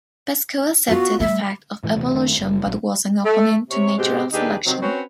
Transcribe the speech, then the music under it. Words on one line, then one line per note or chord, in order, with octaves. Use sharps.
Pascoe accepted the fact of evolution but was an opponent to natural selection.
B3 F4 F#4
G3 A3 E5
A2 E3 G#3
D#1 C3 E3 A3
F#1 D#3 A3 D4
F#1
A#1 F#3
A3
C3 C#5
G#2 B2 G#3 C4 G4
D#2 D4 D#4 G4 G#4 B4
C3 D#3 F#3 C4
C4 C#4 F#4 B4 C#5